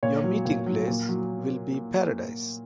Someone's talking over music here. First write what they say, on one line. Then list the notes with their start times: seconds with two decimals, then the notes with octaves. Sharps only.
Your meeting-place will be Paradise.
0.03 A#2 C#5
0.24 F#3
0.45 A#2
0.66 F#3
0.88 A#2
1.09 F#3